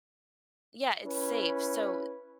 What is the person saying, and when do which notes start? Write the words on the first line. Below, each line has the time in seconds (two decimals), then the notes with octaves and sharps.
Yeah, It's safe. So,
1.03 C#4 E4 B4